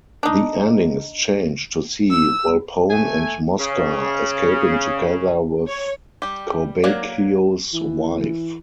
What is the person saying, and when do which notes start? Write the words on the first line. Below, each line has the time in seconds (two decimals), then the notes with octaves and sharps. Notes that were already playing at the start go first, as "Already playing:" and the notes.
The ending is changed to see Volpone and Mosca escaping together with Corbaccio's wife.
0.23 D4 D#4
2.10 E6
2.90 A3 G#5
3.60 C#3
5.67 C#5
6.22 G3 G4
6.84 F#3 A#3 A#4 D5
7.73 E3